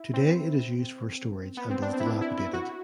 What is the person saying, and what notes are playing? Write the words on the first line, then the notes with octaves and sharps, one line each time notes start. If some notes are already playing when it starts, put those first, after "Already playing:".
Today it is used for storage and is dilapidated.
Already playing: E4
C4
B3
C4
D4
C4
E4
D4
E4
E4
F#4